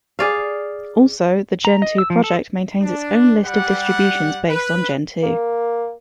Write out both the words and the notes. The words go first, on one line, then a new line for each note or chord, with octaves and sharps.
Also, the Gentoo project maintains its own list of distributions based on Gentoo.
G#4 D5 F5
A#5
D#5
E6
F3
A4
D4
G3 F#5
B4
A#3